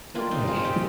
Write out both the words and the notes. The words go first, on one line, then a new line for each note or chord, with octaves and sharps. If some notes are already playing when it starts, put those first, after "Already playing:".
Okay, 'cause
D4 F4 A#4 D#5 G5 C6
C4 D#4
F4 G#4
D#4 G4